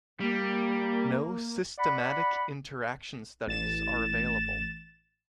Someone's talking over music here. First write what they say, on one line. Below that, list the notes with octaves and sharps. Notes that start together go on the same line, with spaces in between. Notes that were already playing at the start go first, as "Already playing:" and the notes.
No systematic interaction studies are available.
G3 A#3
D5 F#5 B5
A1 A6 E7